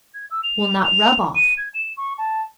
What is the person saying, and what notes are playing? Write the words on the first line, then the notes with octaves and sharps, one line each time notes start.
Will not rub off.
G#6
E6
F7
F7
D#7
G#6
E7
C#6
A5